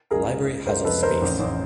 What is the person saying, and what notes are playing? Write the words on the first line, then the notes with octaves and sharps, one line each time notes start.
The library has of space.
C#2 G#4 A#4
C#2
C#2
C#2 A#4 C5
F1 A4 B4
F1 A#4 C5
A1
A1